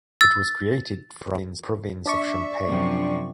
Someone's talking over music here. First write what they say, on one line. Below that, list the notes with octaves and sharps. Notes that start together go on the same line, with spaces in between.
It was created from the province of Champagne.
E6 A6
D4 D5 E5 C#6
F#2 C3 F3